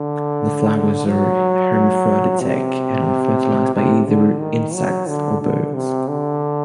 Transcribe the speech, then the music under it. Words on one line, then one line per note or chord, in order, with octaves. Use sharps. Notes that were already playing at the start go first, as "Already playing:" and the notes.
The flowers are hermaphroditic and are fertilised by either insects or birds.
Already playing: D3
F#3
C3
C3
D3
D#3
F#3
D3
D3
C3
D3